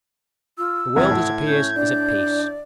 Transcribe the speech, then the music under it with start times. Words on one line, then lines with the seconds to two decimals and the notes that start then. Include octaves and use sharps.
The world, it appears, is at peace.
0.58 F4 E6
0.96 E2 C3 E3 F#5 G#6
1.11 A2 G#6
1.47 C#4 G6
1.76 D4 D5